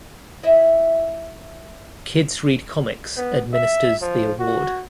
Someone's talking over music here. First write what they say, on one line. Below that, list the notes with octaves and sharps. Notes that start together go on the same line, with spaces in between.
Kids Read Comics administers the award.
E4 D#5 E5
B3
E5
F3
F#4